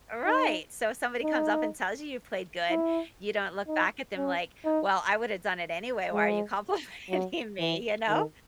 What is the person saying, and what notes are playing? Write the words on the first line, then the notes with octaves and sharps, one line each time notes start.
Right! So if somebody comes up and tells you you played good, you don't look back at them like, "Well, I woulda done it anyway, why are you complimenting me," you know?
D#4
D#4
E4
D#4
C#4
D#4
G#3
F#3
E3
D#3